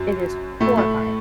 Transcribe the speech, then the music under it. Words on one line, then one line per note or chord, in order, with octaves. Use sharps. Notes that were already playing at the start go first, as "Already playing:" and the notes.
It is horrifying.
Already playing: F#2 F#3
A2 A3
A2 A3